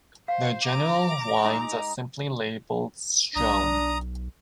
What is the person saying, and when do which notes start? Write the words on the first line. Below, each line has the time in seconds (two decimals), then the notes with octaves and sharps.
Their general wines are simply labelled Strewn.
0.28 C5 F5
0.64 A#5 D6
1.40 G#3 D#4
3.36 B1 D4 A#5 D#6